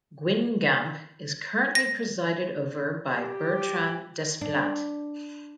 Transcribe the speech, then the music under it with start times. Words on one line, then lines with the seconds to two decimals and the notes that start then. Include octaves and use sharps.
Guingamp is currently presided over by Bertrand Desplat.
1.75 A#6
3.15 G4
4.41 D4